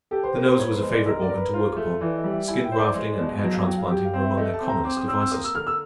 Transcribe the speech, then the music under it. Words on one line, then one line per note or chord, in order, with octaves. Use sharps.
The nose was a favorite organ to work upon. Skin-grafting and hair-transplanting were among their commonest devices.
G4 A4
C5
A#3 A#4
C5
B3 C#5
C5
G#3
D5
A#4 D#5
D5
A#4
B4
F4 C5
G#4
A3
A4
E3 D5
D#5
G3
E5
E4 G#5
G5
C5
D5
G#3 C#5
D5
B2
D#5
F#3 D#5
F5
F#3 G5
F5
G4
F5
C4
E5
A3 D#5
A5
C4
A#5
C4 D6
D#6
C4 E6
E6
A#3 D#6
E6
D3 F6
E6